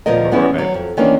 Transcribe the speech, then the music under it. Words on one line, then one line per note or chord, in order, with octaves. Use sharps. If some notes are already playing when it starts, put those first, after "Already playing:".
You're right.
D2 A#2 F3 B3 A#4 D#5
G3 B3 C#4 E4
F#3
F2
D#3 E3 A#3 C#4 D4